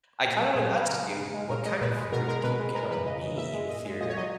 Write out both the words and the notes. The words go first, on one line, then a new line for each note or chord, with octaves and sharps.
I kinda wanted to ask you, what kind of read do you get on me with your
A#2
F#3
A#2 G#4
F#3
B4
C#3 A#4
G#3
C#3
G#3
A#2 A#4
G#3 D#5
A#2 B4
G#3
B2 A#4
G#3 A#4
B2 B4
G#3
G#3 A#4
E3 B4
C#3 D#5
C#3
A#2 E5
G#3
A#2 D#5
G#3
A#2 D#5
C#5
F#3 D#5